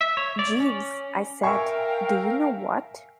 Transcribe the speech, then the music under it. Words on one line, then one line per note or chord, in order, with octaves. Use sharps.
"Jeeves," I said, "do you know what?"
E5
C#5
D5
C#4
A#4 E5 F5 G5 G#5 C#6